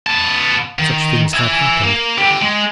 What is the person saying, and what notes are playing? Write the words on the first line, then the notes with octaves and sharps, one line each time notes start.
Such things had happened.
B3 A5
D#3
E5 G#5
A#3
D3 G4
G#3